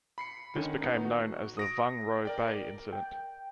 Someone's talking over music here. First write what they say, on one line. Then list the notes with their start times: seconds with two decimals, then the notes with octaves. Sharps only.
This became known as the Vung Ro Bay Incident.
0.18 B5 C7 C#7
0.56 D3 D#3 C#4
0.81 B3 D#4
1.05 F#4
1.57 D#6 A#6 D7
2.25 A#4 D5 G5
2.93 G5